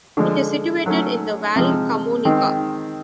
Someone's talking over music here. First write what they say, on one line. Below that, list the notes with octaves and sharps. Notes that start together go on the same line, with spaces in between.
It is situated in the Val Camonica.
D3 F3 G#3
F#3 A3 C#4
C3 F3 G#3
D#3 G#3 C4